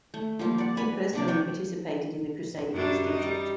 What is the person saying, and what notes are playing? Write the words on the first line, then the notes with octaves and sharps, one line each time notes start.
He personally participated in the crusade against Egypt.
A3
F3 G3 A#3 F4
D5 F#5
B4 G#5 B5
C3 D4 D5
C#5 D5 G5
F#2 G3 D4
G3 D#4